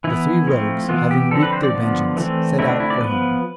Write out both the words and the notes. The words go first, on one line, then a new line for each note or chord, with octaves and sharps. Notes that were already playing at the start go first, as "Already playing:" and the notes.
The three rogues, having wreaked their vengeance, set out, for home.
E3 B3 E4
F3 A3 C4
E3 B3 F4
G4
D3 F3 C4 A4
B4
C5
D5
D3 F3 B3
E3 A3 C4
D3 A3 C4 E4
D4
E4
D5
F3 B3 B4